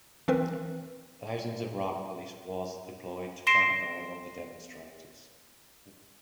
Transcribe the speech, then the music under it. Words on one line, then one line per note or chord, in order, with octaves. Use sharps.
Thousands of riot police was deployed to clamp down on the demonstrators.
E3 C4 A#4 B4
C6 A#6 C7 D7 E7